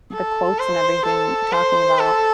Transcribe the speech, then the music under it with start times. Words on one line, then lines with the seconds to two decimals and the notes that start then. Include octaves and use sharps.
the quotes and everything talking about,
0.13 A4
0.59 C5
1.05 A4
1.52 C5
1.99 A4